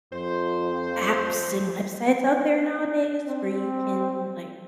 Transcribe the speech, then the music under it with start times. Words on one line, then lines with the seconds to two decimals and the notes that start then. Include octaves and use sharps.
apps and websites out there nowadays where you can, like
0.13 F2 C5
3.27 C4